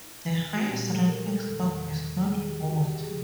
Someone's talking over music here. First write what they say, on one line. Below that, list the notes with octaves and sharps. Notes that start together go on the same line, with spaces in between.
The highest ranking stock is not bought.
F#4
A#2 G3 G4
A4
A#4
A4
E2 C3 D#3 A4
C3 D#3 G3 G#4
G4
F#4
G4
G#4
C#3 F3 G#3 G4